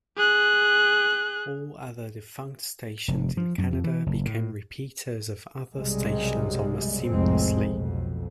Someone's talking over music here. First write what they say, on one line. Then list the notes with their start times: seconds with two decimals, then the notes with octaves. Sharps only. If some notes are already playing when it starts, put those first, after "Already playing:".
All other defunct stations in Canada became repeaters of other stations almost seamlessly.
0.17 G#4 F#6
3.08 F1
3.37 F3
3.58 F#2
3.73 F2
3.84 E3
4.06 F#1
4.25 A2
5.74 B1 F#2 C3 G3 G#3
7.09 F1 C2 F2 A2 G#3 C4
7.71 B1 F2